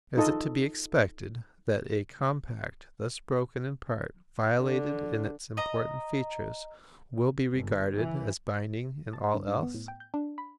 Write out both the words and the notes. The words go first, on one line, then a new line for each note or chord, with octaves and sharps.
Is it to be expected that a compact thus broken in part, violated in its important features, will be regarded as binding in all else?
D#4 F4 A4 D#5 A5
D3
D#5 A#5
G1
E3
A5
G2
G2
B3
A2
G5
G6
D4
B5